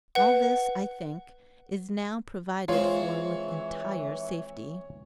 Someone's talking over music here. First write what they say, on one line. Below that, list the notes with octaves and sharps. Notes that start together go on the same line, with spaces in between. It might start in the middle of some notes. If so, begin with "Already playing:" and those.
All this, I think, is now provided for with entire safety.
B4 F#5
E3 G#3 C4 F4 C#5